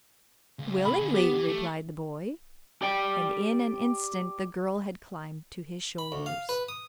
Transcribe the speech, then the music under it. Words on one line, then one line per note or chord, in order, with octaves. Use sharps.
'Willingly,' replied the boy, and in an instant the girl had climbed to his shoulders.
C#2
C3 A3 B5
D3 G#4
B3 G4
E3
A3
G4 D5 G5
B5
D2
F5
B4
D#6